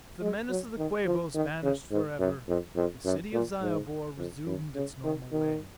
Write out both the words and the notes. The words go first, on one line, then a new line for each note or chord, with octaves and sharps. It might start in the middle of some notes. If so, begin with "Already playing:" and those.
With the menace of the Quabos banished forever, the city of Zyobor resumed its normal way.
G#3
F#3
D#3
F3
D#3
C#3
G#2
F#2
F2
F2
F#2
A#2
G#2
F2
F#2
C#3
D#3
D#3